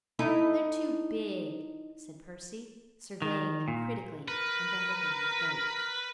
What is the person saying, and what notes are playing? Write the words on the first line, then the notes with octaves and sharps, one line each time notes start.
"They're too big," said Percy, surveying them critically, and then looking at his boat.
D#4 E4 A4
D#3
A#2
A#4 B4